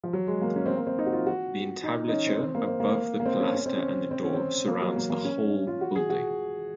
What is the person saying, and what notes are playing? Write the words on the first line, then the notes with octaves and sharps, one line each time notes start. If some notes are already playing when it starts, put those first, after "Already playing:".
The entablature above the pilaster and the door surrounds the whole building.
F3
F#3
G#3
A#3
C#4
C4
A#3
C4
D#4
F#4
F4
F#4
D#4
D#4
C#4
C4
C4
A#3
C4
A#3
A#3
C4
C#4
C#4
C4
C#4
C4
C#4
C4
A#3
F#3
A#3
A#3
C#4
F4
F#4
G#4
F#4